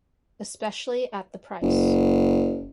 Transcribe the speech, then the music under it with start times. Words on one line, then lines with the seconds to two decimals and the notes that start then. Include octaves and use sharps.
Especially at the price.
1.62 F#1